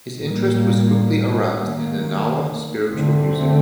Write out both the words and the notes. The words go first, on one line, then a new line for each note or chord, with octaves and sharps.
His interest was quickly aroused in the Gnawa Spiritual Music.
A2 G3 A#3
D#3 A#3
D3 A3 C4